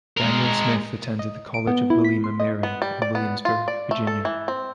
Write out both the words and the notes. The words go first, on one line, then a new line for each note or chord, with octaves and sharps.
Daniel Smith attended the College of William and Mary in Williamsburg, Virginia.
G#3 A#4
D#5
D7
B3
E4
B6
C6
D#5
B3
G3
D5
B3
F4
D5
A3
A4
E3
C4